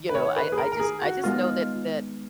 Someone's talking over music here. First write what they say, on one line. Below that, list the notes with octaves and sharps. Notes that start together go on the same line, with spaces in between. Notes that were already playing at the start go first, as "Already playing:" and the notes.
you know, I I just I just know that that,
Already playing: D#3
B4
C#5
B4
G#4
A#4
A#4
G#4
F#4
G#3 B3 D#4 F4